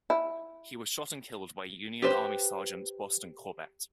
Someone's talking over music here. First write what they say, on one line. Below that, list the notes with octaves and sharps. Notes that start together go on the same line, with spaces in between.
He was shot and killed by Union Army Sergeant Boston Corbett.
E4
G4 B4 C5